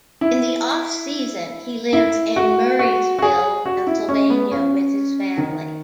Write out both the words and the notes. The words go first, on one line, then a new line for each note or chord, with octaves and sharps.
In the offseason, he lives in Murrysville, Pennsylvania with his family.
E4
E4
F#4
F#4
F#4
G#4
F#4
E4
C#4
B3
C#4
D#3